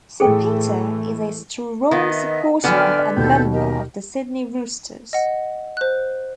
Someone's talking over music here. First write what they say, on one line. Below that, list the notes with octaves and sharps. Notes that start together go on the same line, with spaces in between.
Sir Peter is a strong supporter and member of the Sydney Roosters.
A2 E3 A3 G#4 A4 G5
D#3 B3
D#5 E5
D3 F#3 B3 G5 G#5 B5 F6 C#7
D5
D#2 B2 A4 G5 G6
G4 A#4 D#5
D#5 F#5
C5 F#6